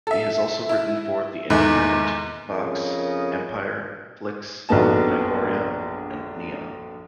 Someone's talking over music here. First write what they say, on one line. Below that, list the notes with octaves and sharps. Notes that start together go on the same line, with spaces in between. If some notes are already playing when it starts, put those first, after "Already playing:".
He has also written for "The Independent", "Vox", "Empire", "Flicks", "Fangoria" and "Neon".
A4 E5
E4
E2 G#2 D#3 A3 F#6
F2 C#3 C#4 A#4 D#5
A#1 F#2 D3 B3 D#4 A5